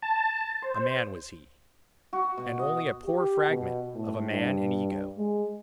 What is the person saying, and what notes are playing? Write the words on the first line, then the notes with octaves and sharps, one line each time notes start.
A man was he, and only a poor fragment of a man and ego.
A5
C5
F#4
B2
D#5
G4
B2
A2
G2
G#3